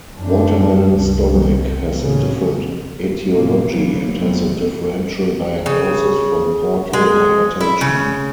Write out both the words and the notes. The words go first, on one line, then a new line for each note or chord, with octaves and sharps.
Watermelon stomach has a different etiology and has a differential diagnosis from portal hypertension.
F#2 D4
C2
A2 C#3
A2 C3 A#3
C#3 F#3 A#3 B3
F1 F3 F#3 A3 B3 C4
C#3
G#3
E4
C#3